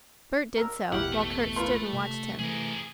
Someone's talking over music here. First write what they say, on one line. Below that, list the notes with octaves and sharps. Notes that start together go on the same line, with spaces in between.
Bert did so, while Kurt stood and watched him.
A#4 E6
A1 E2 B2 E4 G4 F#5 F6
A3
F4 B4 C6
C3
C3 E3 A3 G#4 A#4